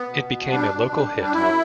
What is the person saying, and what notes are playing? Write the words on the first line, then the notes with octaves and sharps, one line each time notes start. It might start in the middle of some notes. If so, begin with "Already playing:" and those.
It became a local hit.
Already playing: B3
B2
B2
G3 D4
B2
G3
G3
D4
F#2 E4